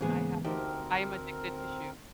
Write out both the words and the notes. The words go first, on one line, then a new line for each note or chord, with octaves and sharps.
I have sh I am addicted to shoes.
G#2 C#3 E3 G#3 A#3 B3 G#4 D6
D2 C4 D#4 G4 A#4